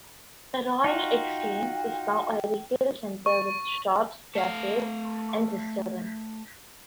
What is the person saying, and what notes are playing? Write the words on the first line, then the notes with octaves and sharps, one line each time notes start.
The Royal Exchange is now a retail centre with shops, cafes and restaurants.
D#4 F4 F#4 G5
C#6
A3 F5